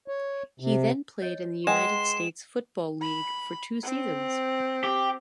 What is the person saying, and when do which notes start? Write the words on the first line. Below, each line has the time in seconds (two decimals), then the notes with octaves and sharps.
He then played in the United States Football League for two seasons.
0.08 C#5
0.60 C3
1.22 C#5 D#5
1.67 G#3 B4 F#5 G5 C6 E7
3.01 B5
3.83 C4
4.84 G4